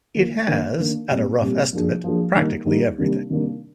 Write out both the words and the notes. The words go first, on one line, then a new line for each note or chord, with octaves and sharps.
It has, at a rough estimate, practically everything.
D#3 A#3 F4
D#3 A#3 D4
D#3 A#3 D4
A#2 G3 C4
A#2 G3 C4
F3 A#3 D4 G#4
F3 A#3 D4 G#4
D#3 G3 A#3 D#4
D#3 G3 A#3 D#4
C3 D#3 G3 A#3 D4
C3 D#3 G3 A#3 D4